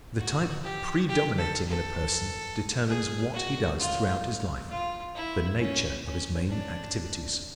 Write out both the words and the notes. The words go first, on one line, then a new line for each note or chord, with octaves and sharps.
The type PREDOMINATING in a person determines WHAT he does throughout his life--the NATURE of his main activities.
F#4
G4
G4
A4
A4
G#4
F#4
F4
F4
E4
C#4
C#4
D4